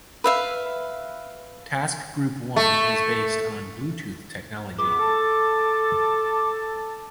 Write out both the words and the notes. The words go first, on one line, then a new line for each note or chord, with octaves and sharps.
Task group one is based on Bluetooth technology.
B4 E5 F5
A3
C#2 B3 B5 D6
A4 A5